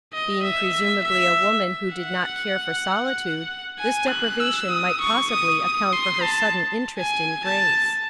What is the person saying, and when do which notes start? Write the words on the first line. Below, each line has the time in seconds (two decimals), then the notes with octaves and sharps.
Being presumably a woman who did not care for solitude, this deprivation might possibly account for her sudden interest in Grace.
0.13 D#5
0.43 E5
0.74 E5
1.04 E5
1.95 F#5
3.79 G#5
4.09 F#6
4.40 E6
4.70 D#6
5.01 C#6
5.31 D#6
5.62 D#6
5.92 C6
6.23 A5
6.99 G#5
7.45 A5